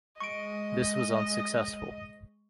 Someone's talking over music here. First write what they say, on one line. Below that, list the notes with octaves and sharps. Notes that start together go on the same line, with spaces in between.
This was unsuccessful.
G#3 D#5 C#6 D7